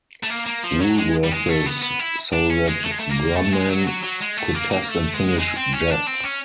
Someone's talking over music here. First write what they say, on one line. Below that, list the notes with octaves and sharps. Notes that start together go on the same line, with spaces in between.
Woolworth's, so that Grumman could test and finish jets.
A3
A#3
A#3
F3
F#3
G#3
G3
G#3
A3
B3
B3
E4
D4
C#4
G#3
A3
G#3
A3
A#3
A3
G#3
F#3
F#3
F#3
G#3
A3
A#3
A#3
A3
G#3
G#3
C4
C#4
D4
C4
C#4